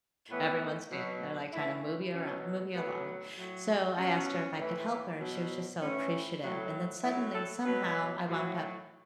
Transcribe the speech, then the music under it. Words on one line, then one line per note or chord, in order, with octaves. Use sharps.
everyone's standing, their like, kinda move you around, move you along. So, I asked her if I could help her, and she was just so appreciative, and then suddenly, somehow, I wound up
A2 E3 B3
B2 F#3
A2 E3 E4
B2 F#3 C#4
A2 F#3 B3
A2 F#3
B2 F#3 C#4
A2 E3
B2 F#3
A2 E3 C#4
A2 F#3
A2 F#3 E4
A4
B2 F#3 B4
A2 F#3